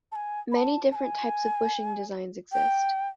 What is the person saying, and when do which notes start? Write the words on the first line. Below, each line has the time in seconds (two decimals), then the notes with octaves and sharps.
Many different types of bushing designs exist.
0.12 A5
0.16 G#5
0.52 B5
0.56 A5
0.92 A5
0.96 G#5
2.52 G5